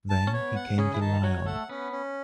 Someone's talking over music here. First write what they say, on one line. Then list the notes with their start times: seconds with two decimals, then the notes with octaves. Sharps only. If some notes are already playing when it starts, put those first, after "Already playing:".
Then, he came to Lyon.
0.10 A5
0.27 C#4
0.33 B3 C#5
0.55 F#5
0.78 C#3 C#4 G#4
0.94 E4
1.01 D#3 D#4 A5
1.23 F#3 F#4 C#5
1.46 A3 A4 F#5
1.69 B3 C#4 B4
1.92 C#4